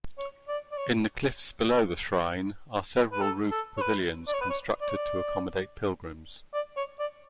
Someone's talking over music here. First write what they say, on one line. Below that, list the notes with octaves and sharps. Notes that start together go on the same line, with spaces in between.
In the cliffs below the shrine are several roofed pavilions constructed to accommodate pilgrims.
C#5
D5
D5
C#5
B4
A4
A4
C#5
B4
D5
C#5
B4
C#5
D5
C#5
D5
D5
C#5
D5